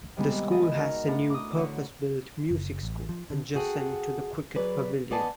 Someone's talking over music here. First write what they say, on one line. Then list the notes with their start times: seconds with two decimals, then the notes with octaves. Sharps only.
The School has a new purpose-built music school, adjacent to the Cricket Pavilion.
0.17 C3 D#3 G3 G#3 B3
0.51 G#2 E3 B4 D5 D#5
0.75 D#4 F#4 A#4
1.07 A2 D4 F#4 A#5
1.30 D6 D#6
1.56 D3 E4 C#5 F#5
2.51 F#1
2.83 A1
3.09 F3
3.30 D3
3.55 F#4 G#4 A4 E5 F#5 G5
4.55 F#3 G#4 B4 D5
5.11 B3 D5 D#5 G#5 A5